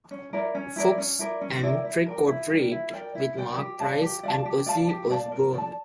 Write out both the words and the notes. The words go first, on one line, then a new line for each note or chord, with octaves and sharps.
Fox, and "Trick or Treat" with Marc Price and Ozzy Osbourne.
C#4
E4 A#4 D5
C#4
E4 A#4 D5
C#4
E4 A#4 D5
C#4
E4 A#4 D5
E4
A#4 D5 G5
E4
A#4 D5 G5
E4
A#4 D5 G5
E4
A#4 D5 G5
G4
D5 F5 A5
G4
D5 F5 A5
G4
D5 F5 A5
G4
D5 F5 A5
A#4
D5 A5